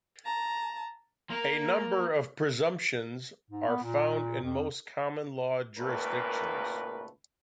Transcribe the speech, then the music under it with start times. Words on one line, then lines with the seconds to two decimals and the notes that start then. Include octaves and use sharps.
A number of presumptions are found in most common law jurisdictions.
0.25 A5 A#5
1.30 A#3 A#4
3.50 G#2
3.67 B3
3.83 A#2
4.43 F2
5.78 G#1 C#2 A#2 A3 A#4 B4